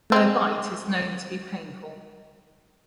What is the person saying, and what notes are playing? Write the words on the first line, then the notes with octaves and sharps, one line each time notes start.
Their bite is known to be painful.
G#3 C4